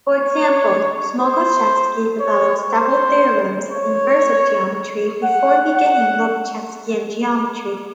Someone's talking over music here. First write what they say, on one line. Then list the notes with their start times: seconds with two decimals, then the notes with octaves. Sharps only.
For example, Smogorzhevsky develops several theorems of inversive geometry before beginning Lobachevskian geometry.
0.18 C#5
1.19 C5
2.20 C#5
2.71 C5
3.72 C#5
5.23 F#5
5.74 F#5